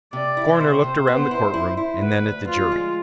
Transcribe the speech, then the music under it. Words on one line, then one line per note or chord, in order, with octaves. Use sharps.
The coroner looked around the courtroom and then at the jury.
C3 D5
E4
C3 C5
C3
B3
E4
E4
E4
D2 B4
D2
F3 F4
G#3